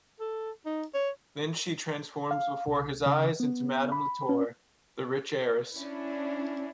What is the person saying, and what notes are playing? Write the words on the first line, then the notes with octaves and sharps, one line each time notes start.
Then she transforms before his eyes into Madame Latour, the rich heiress.
A4
D#4
C#5
F5
C2
C#3
B3
B5
C#4
C#4 D4 E4